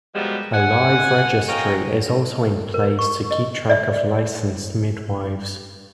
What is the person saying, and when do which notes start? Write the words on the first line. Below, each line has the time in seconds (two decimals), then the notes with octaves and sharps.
A live registry is also in place to keep track of licensed midwives.
0.15 B2 F3 G3 G#3 A#3 B3
0.53 F#5 G#5
1.49 C#5 D#5 F5 G5 G#5 A#5
2.74 A#4
2.99 C#6
3.31 D#5
3.70 D5 E5